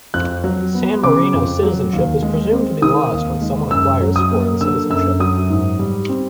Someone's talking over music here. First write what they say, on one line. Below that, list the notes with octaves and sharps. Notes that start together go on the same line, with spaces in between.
San Marino citizenship is presumed to be lost when someone acquires foreign citizenship.
F2 F#6
F#3
B3
C#3 D6
F2
F#3
D#2
G#3
C4
D#3 D#6
D#2
G#3
F#2 E6
F#3
D#6
A#3
D3 E6
F#2 E6
F#3 D#6
G#2
G3
C4